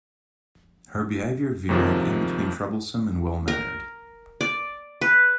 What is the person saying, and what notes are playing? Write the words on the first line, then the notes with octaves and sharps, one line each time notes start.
Her behavior veered in between troublesome and well-mannered.
D#2 G#2 C3 D#3 F3
A#4
D5
B4